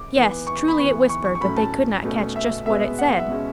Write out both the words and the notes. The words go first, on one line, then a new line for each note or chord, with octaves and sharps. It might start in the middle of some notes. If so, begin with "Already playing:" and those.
Yes, truly it whispered, but they could not catch just what it said.
Already playing: D6
E3 B3
C#6
C#6
B5
E3 B3 C#6
C#6
C#6
C#6
A2 F#3 A3 C#4 B5
A5
B2 A3 C#4
E5
B2 G#3 B3 E5
F#5
E5
B2 G#3 C#4